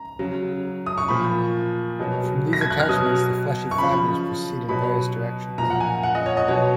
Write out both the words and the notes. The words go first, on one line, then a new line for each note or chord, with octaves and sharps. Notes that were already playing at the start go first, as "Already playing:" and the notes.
From these attachments the fleshy fibers proceed in various directions.
Already playing: A#5
C#3 F#3
D#6
C#6
A#2 F3 B5
B2 F#3
A#6
G#6
F#6
F6
B2 F#3 D#6
C#6
C#3 F3 B5
B2 F#3 B5
A#2 F3 A#5
F#5
G#5
F#5
D#5
C#5
D#5
B2 F#3 C#5